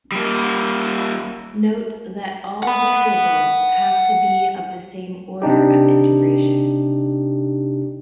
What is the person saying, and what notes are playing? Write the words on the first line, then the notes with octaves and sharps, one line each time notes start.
Note that all variables have to be of the same order of integration.
G3 A#3
F#5 B5
C3 D4 D#4 G4